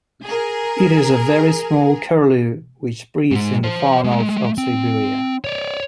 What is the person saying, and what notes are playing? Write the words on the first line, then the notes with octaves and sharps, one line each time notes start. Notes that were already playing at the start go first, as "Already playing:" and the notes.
It is a very small curlew, which breeds in the far north of Siberia.
G#4 A#4
G#2 G#3
C5 A5
G#3 A3
C4
C#5 D5